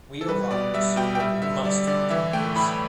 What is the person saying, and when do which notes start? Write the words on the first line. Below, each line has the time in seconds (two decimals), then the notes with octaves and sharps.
We are robbers, or we "must" be conquerors!
0.21 A4
0.28 G3 B4
0.51 B2 D5
0.74 G3 E5
0.96 B2 G5
1.15 G5
1.20 G3 E5
1.42 D3 E5
1.64 G3 D5
1.87 D3 D5
2.10 E3 E5
2.33 A3 G5
2.55 A2 B5